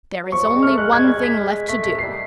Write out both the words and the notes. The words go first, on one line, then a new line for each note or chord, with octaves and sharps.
"There is only one thing left to do."
F#3
F3 C#6
G3 C#6
G#3
A3 F6
G#3 F#6
G#3 G#6
G3
G#3 G#6
B6
A3 B6
B6
G3 C7